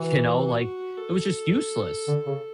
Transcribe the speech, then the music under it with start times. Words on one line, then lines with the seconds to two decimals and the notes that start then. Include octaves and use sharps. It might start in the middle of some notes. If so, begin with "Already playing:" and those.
you know, like, it was just useless.
Already playing: E3 F#4
0.43 F#4
0.97 A4
2.08 D3
2.26 C#3